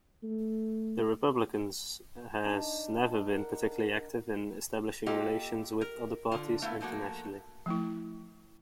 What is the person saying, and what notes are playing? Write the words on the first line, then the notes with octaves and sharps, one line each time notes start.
The Republicans has never been particularly active in establishing relations with other parties internationally.
A3
D4 D#4
A#4 F#5
A#3 F4 G4 A4 D#5
A#4
D3 F4
A3 B3 E4 F5
F3 A3 A#3 F#4
F3 A3 E4